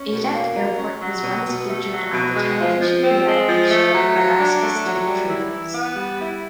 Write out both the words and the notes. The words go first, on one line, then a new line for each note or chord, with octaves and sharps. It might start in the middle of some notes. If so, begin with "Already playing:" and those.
Adak Airport was once featured on the television reality show, Alaska State Troopers.
Already playing: C#4
B2
A#3
F#3
C#4
F#3
B2
B2
A3
F#3
B2
G#3
F3
F3
C4
G#3
F3
A3
F#3
F#3
D4
A3
F#3
G3
E4
E3
B3
G3
E4